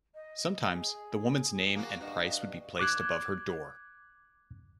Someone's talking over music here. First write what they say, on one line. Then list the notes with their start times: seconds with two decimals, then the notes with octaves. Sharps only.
Sometimes the woman's name and price would be placed above her door.
0.14 D#5
0.72 G#4
1.76 A#3 F#4
2.01 G2 F#4 D#5
2.79 D6 F#6 G#6